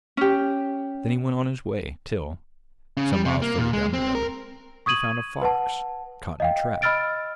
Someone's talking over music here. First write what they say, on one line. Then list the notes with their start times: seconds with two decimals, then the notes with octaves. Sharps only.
Then he went on his way till, some miles further down the road, he found a fox caught in a trap.
0.17 C#4 G4
2.97 C#3
3.13 G3
3.25 C3
3.42 A#3
3.58 A#2
3.73 G#3
3.94 C4
4.15 A#4
4.86 C#6 D#6 G#6 D#7 F#7
5.42 B4 F#5 A5
6.40 D#5 F5 G5
6.82 D#5 B5 E6 F6 A6 D7